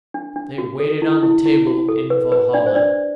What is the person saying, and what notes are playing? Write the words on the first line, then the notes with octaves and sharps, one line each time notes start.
They waited on the table in Valhalla.
D4
D4
F#4
A4
E4
E4
E4
F#4
A4
B4
B4
D4 D5
C5
D4 D5